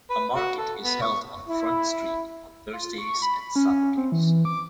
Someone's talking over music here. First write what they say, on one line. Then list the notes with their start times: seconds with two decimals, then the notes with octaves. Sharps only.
A market is held on Front Street on Thursdays and Saturdays.
0.10 B4
0.36 F#4
0.58 A4
0.82 B3
1.02 C#6
1.49 E4
2.73 F4
2.98 C#6
3.22 B5
3.41 B5
3.56 C#4
3.69 C#4
3.97 C4
4.12 E3
4.45 D6